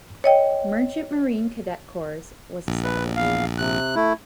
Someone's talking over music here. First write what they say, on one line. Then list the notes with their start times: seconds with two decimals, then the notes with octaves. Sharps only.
Merchant Marine Cadet Corps was established.
0.24 C#5 D#5 G5
2.67 A#1
2.84 B4
3.16 E2 F5
3.58 C3 F#6
3.95 A3 E4